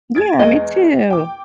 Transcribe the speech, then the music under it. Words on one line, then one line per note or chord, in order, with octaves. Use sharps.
Yeah, me too.
G#6 A6 D7
E2 G#3 D#5
G5 D6